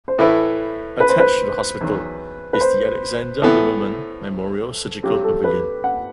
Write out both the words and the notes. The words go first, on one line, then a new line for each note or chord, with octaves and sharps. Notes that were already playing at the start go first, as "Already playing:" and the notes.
Attached to the hospital is the Alexander Liberman Memorial Surgical Pavilion.
C5
A2 E3 A3 E4 B4
B4
C5
B4
E2 D#3 F#3
B4
C5
A2 E3 B3 A4
G2 F#3 C4 G4
A4
B4
F#5